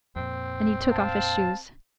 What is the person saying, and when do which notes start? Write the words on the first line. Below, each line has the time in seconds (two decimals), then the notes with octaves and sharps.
And he took off his shoes.
0.16 F2 A#2 C4
0.91 F5 A5